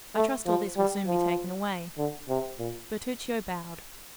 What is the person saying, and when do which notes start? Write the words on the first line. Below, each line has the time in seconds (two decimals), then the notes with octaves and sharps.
"I trust all this will soon be taken away." Bertuccio bowed.
0.16 A3
0.46 F3
0.77 G3
1.07 F3
1.98 D3
2.29 C3
2.59 A#2